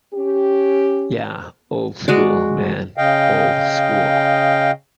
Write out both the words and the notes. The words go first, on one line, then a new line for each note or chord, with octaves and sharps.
Ya, old school, man, old school.
C#4 G4
G#3 F#4 D5
C#3 D#5 F5 G5